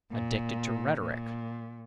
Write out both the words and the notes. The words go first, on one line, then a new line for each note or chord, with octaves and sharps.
Addicted to rhetoric.
A#2
A#2